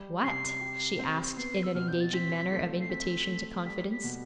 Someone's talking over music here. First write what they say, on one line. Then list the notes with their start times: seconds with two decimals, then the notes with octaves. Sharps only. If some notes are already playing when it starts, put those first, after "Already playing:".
'What?' she asked in an engaging manner of invitation to confidence.
Already playing: G3
0.23 C3 C7
0.61 G4
0.99 C4
1.37 B3 C7
1.63 E6
1.75 B2 F6
1.88 G6
2.00 A6
2.13 C4 B6
2.52 A3
2.81 C7
2.90 C4 B6
3.27 A3
3.66 G3 B6
3.91 B6
4.04 B2